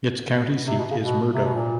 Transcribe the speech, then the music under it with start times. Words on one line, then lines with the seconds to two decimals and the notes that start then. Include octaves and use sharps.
Its county seat is Murdo.
0.67 C3
0.78 B2
0.90 C#3
1.03 B2
1.34 C3
1.44 B2
1.53 A#2